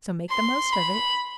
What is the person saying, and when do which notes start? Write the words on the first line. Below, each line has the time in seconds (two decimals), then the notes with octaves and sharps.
"So make the most of it."
0.29 C6
0.72 B5